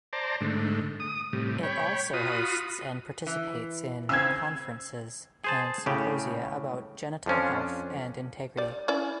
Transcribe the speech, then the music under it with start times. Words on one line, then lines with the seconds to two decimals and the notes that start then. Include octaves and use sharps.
It also hosts and participates in conferences and symposia about genital health and integrity.
0.13 C5 D5 A5 A#5
0.41 G#2 D3 A3
1.00 D#6
1.33 A2 C3 G3
1.63 C#5 G5 B5
2.13 F4 F#4 B5 D#6
3.26 E3
4.09 C#3 C4 E6 G#6
5.44 G#4 C5 A5
5.86 A2 C#3 G4
7.26 F2 F3 C#4 D4
8.57 G3 D5
8.88 C#4 E4 D5